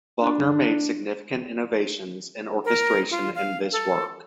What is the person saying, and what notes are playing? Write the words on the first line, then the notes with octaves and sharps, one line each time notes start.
Wagner made significant innovations in orchestration in this work.
D4
A#4
F4
F5
A4